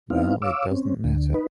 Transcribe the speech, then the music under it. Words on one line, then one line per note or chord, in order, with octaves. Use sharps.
Well, it doesn’t matter.
B3 C4 D#4 E4 F5
C#5 F5 D6 E6
C4 C#4
D2 D3
D#4 B4